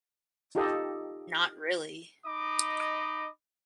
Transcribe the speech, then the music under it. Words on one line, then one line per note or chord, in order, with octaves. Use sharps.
Not really.
D#4 F4 G4 A4 D#5
D#4 D#5 B5 D6